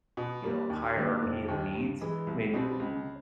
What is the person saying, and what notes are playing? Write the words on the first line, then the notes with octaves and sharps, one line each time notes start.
you know, hierarchy of needs, I mean, m m
B2
G3 A#3
D#2
D#3 F#3 A#3 D4
F1
D#2 D#3
G2
E3 G#3
C2
B2 G3 C4
C#2